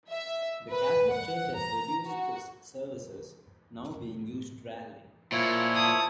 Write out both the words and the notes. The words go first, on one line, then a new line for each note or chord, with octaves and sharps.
The Catholic church has reduced its services, now being used rarely.
E5
B4
F#5
A#5
F#4
A#2 F3 E4 C#5
A5 D#6